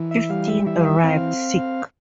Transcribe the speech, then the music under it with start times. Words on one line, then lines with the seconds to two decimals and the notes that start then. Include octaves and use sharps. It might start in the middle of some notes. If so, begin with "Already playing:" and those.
Fifteen arrived sick.
Already playing: E3
0.11 E5
0.30 G3 F5
0.48 E5
0.66 E3 E5
0.79 F5
0.86 E5
1.04 C4 F5